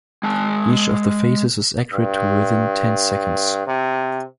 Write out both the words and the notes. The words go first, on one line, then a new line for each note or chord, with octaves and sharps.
Each of the faces is accurate to within ten seconds.
G#3 G#5 A5
G2
C3